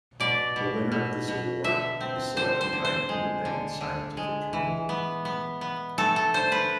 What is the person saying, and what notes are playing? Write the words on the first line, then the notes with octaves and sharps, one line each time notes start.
The winner of this award is selected by an independent scientific committee.
B2 D5
B2
B2
B2
D3 E5
C4
D3 C5
C5
D3
C5
G#3
D3
D3
G#3
E3
B3
B3
B3
A3 A4
A4
D3 C5
B4